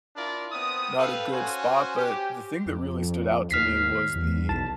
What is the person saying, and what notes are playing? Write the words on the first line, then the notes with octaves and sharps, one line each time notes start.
not a good spot, but the thing that really stood out to me was the
D4 E4 F4 A#4 D5
B3 C4 D#6
G4 A4 B4 F5
C#4 F#4 C5 G#5
G4
F2
F2
D#2 F6 B6 C7
E2
B1 A5